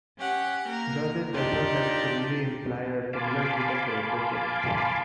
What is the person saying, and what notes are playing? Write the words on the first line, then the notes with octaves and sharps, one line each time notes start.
Thus, it does not necessarily imply a similar group of characteristics.
C#4 G4 F#5
A#3 A#4
D4 D#4 F4 G4 D5
F5 G#5 A5 B5 C6 D6